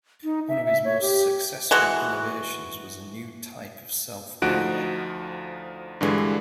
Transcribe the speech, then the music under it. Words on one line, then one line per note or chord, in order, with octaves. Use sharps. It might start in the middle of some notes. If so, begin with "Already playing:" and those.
One of his most successful innovations was a new type of self-bailer.
D#4
E5
E5
C#5
G4
E3 G#3 F#4
D2 F3 D#4 F#4 F#6 D7
G2 D3 E3 G#3